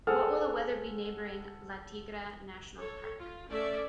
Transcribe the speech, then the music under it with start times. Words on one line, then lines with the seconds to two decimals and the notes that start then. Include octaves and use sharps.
What will the weather be neighboring La Tigra National Park?
0.07 G#4 A4 C5 F#5 F6
2.79 A4 C#5
3.19 F4
3.49 A3 C#4 A4 D5 E5